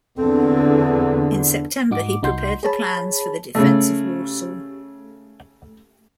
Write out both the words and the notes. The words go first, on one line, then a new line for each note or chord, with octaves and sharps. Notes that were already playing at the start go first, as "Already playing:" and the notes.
In September he prepared the plans for the defense of Warsaw.
E2 D3 C4 A4
G#2 D#4 F#4 D6
C2 D#4 F#4 C6 G6
G#4 C#5 A5 B5
C#3 A3